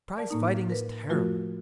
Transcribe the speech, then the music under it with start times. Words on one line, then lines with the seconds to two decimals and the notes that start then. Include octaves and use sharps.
Prize-fighting is terrible.
0.17 A#4 D5 A5
0.30 A2 A#3 D#4
0.70 A#4 B4
1.09 F3 A3 F4 F#4 A#4